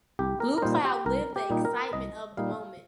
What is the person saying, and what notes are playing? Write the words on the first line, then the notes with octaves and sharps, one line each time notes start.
Blue Cloud lived the excitement of the moment.
C2 G4
A#4
A#4
A#2 G3 D#4 C5
G4
C2 A#4
G4
A#2 G3 D#4
A#4
C2 D#5
A#2 G3 D#4 F5